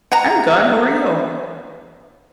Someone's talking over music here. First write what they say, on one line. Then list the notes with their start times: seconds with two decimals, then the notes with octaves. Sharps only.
I'm good, how are you?
0.12 F#5 A#5